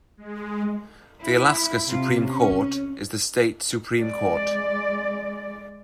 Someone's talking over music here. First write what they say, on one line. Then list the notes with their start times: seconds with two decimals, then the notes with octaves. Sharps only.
The Alaska Supreme Court is the state supreme court.
0.17 G#3
1.22 E4
1.86 C3 F4
2.24 C#4
4.01 G#3 D5